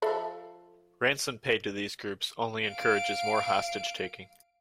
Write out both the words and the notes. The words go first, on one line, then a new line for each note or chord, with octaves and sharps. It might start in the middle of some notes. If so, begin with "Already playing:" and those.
Ransom paid to these groups only encourages more hostage taking.
F3 A4 E5
F5 D7